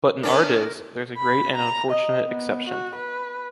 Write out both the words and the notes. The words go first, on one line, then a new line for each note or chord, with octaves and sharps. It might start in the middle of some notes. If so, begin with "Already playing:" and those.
But, in our days, there’s a great and unfortunate exception.
B3 C#4 D4 A#4
B5
A#5
D#5
B3
F#4
B4